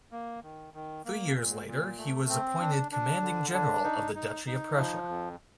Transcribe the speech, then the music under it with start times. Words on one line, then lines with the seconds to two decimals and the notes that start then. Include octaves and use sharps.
Three years later he was appointed commanding general of the Duchy of Prussia.
0.12 A#3
0.43 D#3
0.74 D#3
1.05 A#3
1.35 A#2
1.67 A#2
1.98 A3
2.29 C4
2.60 D4
2.92 D4
3.22 D3
3.53 D4
3.84 D#4
4.15 D#4
4.47 D#4
4.77 F3
5.08 F2